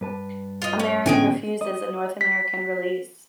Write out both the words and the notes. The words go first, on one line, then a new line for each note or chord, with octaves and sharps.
Amerie refuses a North American release.
G2 B4 A5
F4 D#5
C#4
A2 D3 E3 B3 C#4 D#4 G5 G#5
D#5
B6